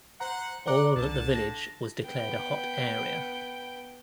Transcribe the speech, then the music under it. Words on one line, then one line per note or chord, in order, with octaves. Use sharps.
Or that the village was declared a "hot area".
C5 F#5 A#5
D5 F#5 A#5 D6
C2 D3 A5
A#6
B3 G5